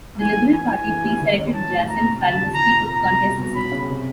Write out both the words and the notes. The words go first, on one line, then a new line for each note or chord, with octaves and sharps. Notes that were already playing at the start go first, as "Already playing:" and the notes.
The Liberal Party preselected Jason Falinski to contest the seat.
E3 G#5
E3
E3 G#5
E3
E3
G3
D#3
C#4
E3 A5
A2
D2 A#5
C3
D3 A5
F2
D#3 A#5
C3
A#2 A#5
C2
B2
B2
F#3 B5
C#3
C3